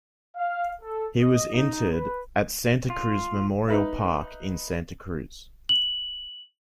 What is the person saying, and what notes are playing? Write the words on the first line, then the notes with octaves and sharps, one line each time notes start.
He was interred at Santa Cruz Memorial Park in Santa Cruz.
F5
A4
D#5
D#4
B4
F4
D#4 B4 E5
F#7